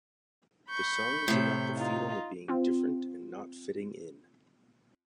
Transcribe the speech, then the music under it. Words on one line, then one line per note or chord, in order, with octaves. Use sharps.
The song is about the feeling of being different and not fitting in.
B5 C#6 G6
A2 C3
D#4 F4
C4 F4